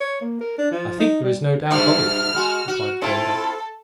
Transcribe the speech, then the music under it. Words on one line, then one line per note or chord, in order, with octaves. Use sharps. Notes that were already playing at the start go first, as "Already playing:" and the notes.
"I think there is no doubt of it," replied Thorndyke.
C#5
A#3
A#4
D4
F3
D#4
G3
G2 B2 A3 F6
G#3 F#4
F#4
C4 E4 F4 A4